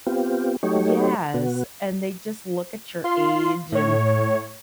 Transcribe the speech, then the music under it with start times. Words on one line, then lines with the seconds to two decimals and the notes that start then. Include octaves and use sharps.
Yes, and they just look at your age and
0.07 B3 C4 F4 G4
0.63 F#3 A3 D#4 G4 C#5
1.34 B2 B3 F#4
3.04 F4 C6
3.72 A2 C#5